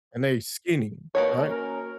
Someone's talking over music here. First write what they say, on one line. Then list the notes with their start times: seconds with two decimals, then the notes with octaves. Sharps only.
and they skinny, right?
1.15 D#2 B2 A#3 F#4 C#5
1.50 C#4 A#4